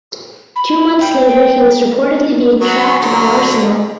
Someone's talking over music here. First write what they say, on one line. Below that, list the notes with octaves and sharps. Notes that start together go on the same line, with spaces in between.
Two months later he was reportedly being tracked by Arsenal.
B5
G5
F#3 B3
D3 F#3